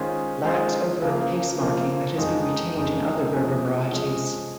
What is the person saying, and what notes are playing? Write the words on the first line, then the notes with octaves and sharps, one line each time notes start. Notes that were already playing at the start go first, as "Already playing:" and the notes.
Lacks overt case-marking that has been retained in other Berber varieties.
Already playing: D#3 G#3 C#4 F4 C5
D#3 G#3 C#4 F4 C5
C#3 F3 A#3
C#3 F3 A#3
F2 D#3 G#3 D#4
F2 D#3 G#3 D#4
F3 G#3 C#4 G#4
F3 G#3 C#4 G#4